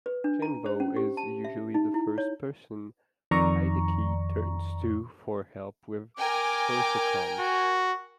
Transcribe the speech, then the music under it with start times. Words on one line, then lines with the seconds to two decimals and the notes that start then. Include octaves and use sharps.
Shinbo is usually the first person Hideki turns to for help with persocoms.
0.06 B4
0.24 D4
0.42 A#5
0.66 C5
0.80 C#4
0.96 G4
1.17 A5
1.44 E5
1.74 D#4
1.94 E4
2.18 C#5
3.31 F2 D#3 D5 A#5 C#6
6.17 A#4 G5 G#5 D6
7.40 F#4